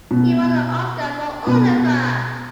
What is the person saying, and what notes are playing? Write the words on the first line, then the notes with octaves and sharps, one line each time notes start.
He won an Oscar for Oliver!
B2
B2